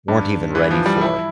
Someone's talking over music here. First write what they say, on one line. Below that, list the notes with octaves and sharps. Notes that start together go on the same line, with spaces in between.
weren't even ready for
G2
E3
F3
G3
E4